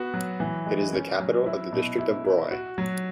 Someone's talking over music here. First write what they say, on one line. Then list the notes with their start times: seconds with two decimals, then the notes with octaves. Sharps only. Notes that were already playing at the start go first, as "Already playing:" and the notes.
It is the capital of the district of Broye.
Already playing: B3 F#4
0.14 F#3
0.40 E3
0.66 G#3
0.93 C#4
1.20 F#3
1.46 E4
1.72 B2
1.99 E4
2.24 E4
2.51 F#4
2.78 F#3